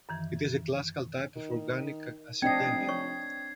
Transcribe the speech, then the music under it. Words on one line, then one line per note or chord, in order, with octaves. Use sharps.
It is a classical type of organic acidemia.
F#2 D#3 E3
D#3
F1 C4 D4 D#5 G5 G#6 C7
C#5 C#6